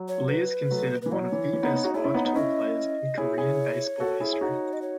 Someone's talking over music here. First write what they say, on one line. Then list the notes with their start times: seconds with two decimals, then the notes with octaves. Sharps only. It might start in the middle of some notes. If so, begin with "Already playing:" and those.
Lee is considered one of the best five-tool players in Korean baseball history.
Already playing: F#3
0.08 C#5
0.29 B4
0.70 F#3 A3
1.02 E3 B4
1.12 F#3 C#5
1.32 E3
1.53 E3
1.63 B3 D#4
1.73 B3 D#4
1.84 D#4 F#4
1.94 E4 G#4 C#5
2.04 C#4 E4
2.14 B3 D#4
2.25 B3 D#4
2.35 C#4 E4 D#5
3.18 E4 G#4 C#5
3.38 E4 G#4
4.00 F#4 A4
4.20 E4 G#4
4.33 G#4
4.41 D#4 F#4
4.73 D#5
4.82 C#5